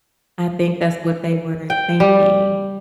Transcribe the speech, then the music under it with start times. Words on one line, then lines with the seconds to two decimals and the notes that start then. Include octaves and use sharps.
I think that's what they were thinking.
1.70 G5
2.00 G3